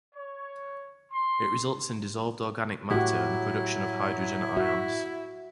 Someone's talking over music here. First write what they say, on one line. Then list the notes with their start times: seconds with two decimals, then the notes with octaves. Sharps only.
It results in dissolved organic matter and the production of hydrogen ions.
0.15 C#5
1.12 C6
2.91 A2 F#3 E4 F#4 G4 F#5
4.57 F#4 E5